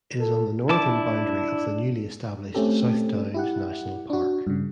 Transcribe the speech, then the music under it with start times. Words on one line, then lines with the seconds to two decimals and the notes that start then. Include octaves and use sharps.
It is on the northern boundary of the newly established South Downs National Park.
0.20 A4
0.69 D4 E4 A5 D6
2.55 A3 C4 C#4 G4 A4
3.34 E4 G4 F#5
4.10 D4 F#4
4.47 G2 C#3